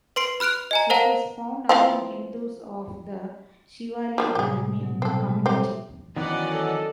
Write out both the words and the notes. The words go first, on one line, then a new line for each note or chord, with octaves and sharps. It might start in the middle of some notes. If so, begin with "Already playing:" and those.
It is found among Hindus of the Shivalli Brahmin community.
B4 C6 C7 D7
B5 F6 F#6 D7 F7
D#5 G#5 A#5
A#4 C5 F5 F#5 A5 A#5
E3 F3 C4
D#3 F3 G3
A2 C3 G3 G4 G#4
B2 F#3 B3
C4 A4
G3 G#3
C4 G4 A4 C#5 E5
D#3 E3 F#3 B3 C#4 D5 D#5 F#5
A4